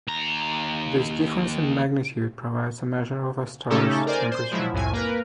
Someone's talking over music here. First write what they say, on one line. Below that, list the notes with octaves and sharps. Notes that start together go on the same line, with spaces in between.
This difference in magnitude provides a measure of a star's temperature.
D#2 A#5
C#3 A3 C#4 D#4 G4 A4
A#4 C5 D5 G#5
C5
F3 F#3 G#3 E4
C2 F2 A2 G#5
A#3 A#4 B4